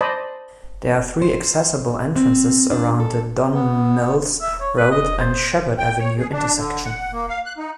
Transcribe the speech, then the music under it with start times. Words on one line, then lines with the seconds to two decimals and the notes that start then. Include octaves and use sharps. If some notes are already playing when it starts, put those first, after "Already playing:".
There are three accessible entrances around the Don Mills Road and Sheppard Avenue intersection.
0.01 C5 D5 D#5 A5 B5
1.22 C5
2.16 C4
2.71 D4
3.00 A4
3.54 B3
4.41 E5
4.60 C#5
4.77 B4
4.91 D#5
5.19 C5
5.78 G5
5.99 C#5
6.18 G#4
6.32 D4
6.57 D3
6.85 F#5
7.12 A#3
7.29 F5
7.46 F#6
7.58 D#4